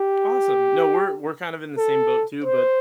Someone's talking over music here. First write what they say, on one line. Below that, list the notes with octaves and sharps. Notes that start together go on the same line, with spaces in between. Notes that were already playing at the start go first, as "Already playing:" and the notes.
Awesome. No, we're we're kind of in the same boat too, but
Already playing: G4
A4
C5